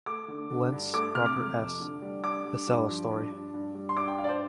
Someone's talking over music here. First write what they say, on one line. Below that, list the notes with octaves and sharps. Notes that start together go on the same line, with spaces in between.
Lince, Robert S. "The Selah Story".
A3 D6
D3
D3
G2
A3 D6
C3 F6
D6
C3
F2
D3
G3
D4 D6
G3
G2
F3
G2
D4
G2
G3
C6
D4 D6
G5
G2 F5
D5
C5